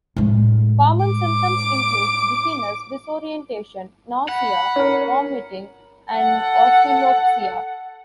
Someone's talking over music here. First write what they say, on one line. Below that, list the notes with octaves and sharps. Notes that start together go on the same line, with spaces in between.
Common symptoms include dizziness, disorientation, nausea, vomiting, and oscillopsia.
A2 G#3
D6
F#5 B5
C#4 A#4
A4 F#5